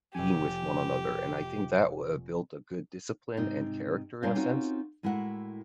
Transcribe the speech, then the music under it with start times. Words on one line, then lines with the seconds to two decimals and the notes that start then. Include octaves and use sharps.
being with one another, and I think that woulda built a good discipline and character in a sense.
0.14 F1 G4 G#5
3.37 G#2 C3 D#4
4.22 A#2 G3 D4 C5 C#5 F5
4.35 C4 C#4 D#4 F4 F#4 A#4
5.03 A2 G#3 E4 F#4 A#4 F#5